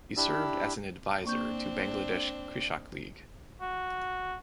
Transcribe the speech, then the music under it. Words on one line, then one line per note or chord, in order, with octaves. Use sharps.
He served as an advisor to Bangladesh Krishak League.
D4 E4 G4 E6
A#3 C4 D4 C#6 G6
F#4